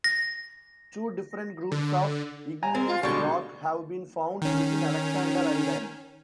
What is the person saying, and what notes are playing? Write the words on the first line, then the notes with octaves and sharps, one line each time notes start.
Two different groups of igneous rock have been found within Alexander Island.
A#6
D3
G#5 A#5
C4 A#4
F4
B2 D3 G3 G#3 C#6
D#3 C#4